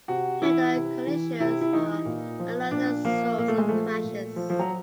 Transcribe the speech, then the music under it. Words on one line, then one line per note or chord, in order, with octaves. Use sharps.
Head-on collisions are another source of crashes.
C3 F#4
E3 E4
C3
E3
C3 E4
E4
E3 D#4
A#2
F3
A#2 D4
F3 A#3
A#2 A#3
A3
G#3
F3 A3
A#2
F3
F3
F#3